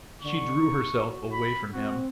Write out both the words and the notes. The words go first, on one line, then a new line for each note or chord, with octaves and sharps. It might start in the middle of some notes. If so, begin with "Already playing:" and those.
She drew herself away from him.
D3 C#6
D#4
F#4
B5
C4 F#4